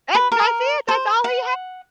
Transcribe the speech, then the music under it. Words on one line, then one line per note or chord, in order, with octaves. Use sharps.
that's that's it! That's all he
B4
A#4
C5
F#5